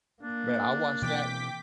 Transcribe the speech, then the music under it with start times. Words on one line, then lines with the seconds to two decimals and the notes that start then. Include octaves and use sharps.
Man, I watched that
0.22 A#3 D4
1.02 B2 E3 C4 G5 D6 B6